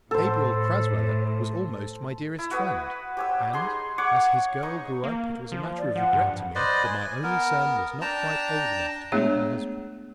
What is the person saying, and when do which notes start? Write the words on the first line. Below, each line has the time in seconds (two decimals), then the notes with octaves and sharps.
Gabriel Crasweller was almost my dearest friend, and as his girl grew up it was a matter of regret to me that my only son was not quite old enough to be her husband.
0.11 A2 A4 C5
2.39 E4
2.51 F#4 B4 D#6
3.17 G4 C#5 E6
3.53 D#4 G#4 C6
3.98 C#5 F#5 C#6 D6
4.63 D#4 C#6
5.04 A#3
5.52 F3
5.78 D5
5.95 F3 F#5
6.13 G2
6.55 B4 C5 D5 D#5
6.84 G#5
7.23 B3 A#4
8.01 D4 G5 A5 A#5
9.12 G#3 A3 B3 D4 G#4 C#5